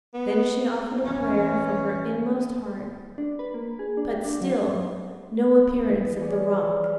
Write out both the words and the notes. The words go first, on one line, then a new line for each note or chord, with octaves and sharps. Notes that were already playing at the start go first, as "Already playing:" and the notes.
Then she offered a prayer from her inmost heart, but still no appearance of the rock.
B3
E3 C#4
D4
B4
A#3
G#4
D4
G4
D4
F#3
E3
D#6
G#4 C#5 D5
F6